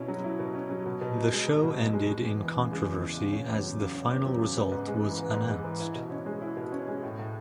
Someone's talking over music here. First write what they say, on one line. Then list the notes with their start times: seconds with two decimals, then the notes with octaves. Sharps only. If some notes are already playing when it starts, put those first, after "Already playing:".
The show ended in controversy as the final result was announced.
Already playing: B2 C#4 E4
0.08 F#3
0.24 E4
0.39 B2
0.55 C#4
0.70 F#3
0.86 B2
1.01 B2
1.17 D#4
1.32 G#3
1.48 B2
1.63 B2
1.78 D#4
1.94 G#3
2.09 G#3
2.25 E2
2.40 E3
2.56 C#3
2.72 G#3
2.87 E2
3.02 E3
3.17 C#3
3.33 C#4
3.49 E2
3.64 F#3
3.79 C#3
3.95 C#4
4.10 E2
4.25 F#3
4.41 C#3
4.57 B3
4.72 G#2
4.87 G#3
5.03 E3
5.18 B3
5.34 G#2
5.49 G#3
5.64 E3
5.80 E4
5.95 B2
6.11 C#4
6.26 G#3
6.42 E4
6.57 B2
6.73 C#4
6.88 G#3
7.03 A2
7.19 A2